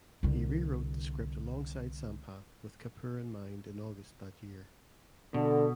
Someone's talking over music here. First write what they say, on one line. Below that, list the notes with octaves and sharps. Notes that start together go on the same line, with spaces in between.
He rewrote the script alongside Sampath with Kapoor in mind in August that year.
C2 D3
B2 D3 A4